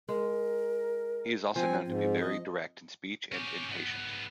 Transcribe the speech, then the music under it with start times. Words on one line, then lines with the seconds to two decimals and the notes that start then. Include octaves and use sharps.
He is also known to be very direct in speech and impatient.
0.09 G#3 A#4
1.56 F3 C4 G#5
1.86 G#2 C4
2.21 D#5
3.32 C#4 G4
3.68 G#2 B3